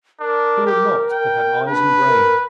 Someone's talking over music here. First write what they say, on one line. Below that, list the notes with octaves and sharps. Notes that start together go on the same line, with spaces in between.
Who would not that had eyes and brain?
D4 A#4
G4
G5
D4 B4
A#4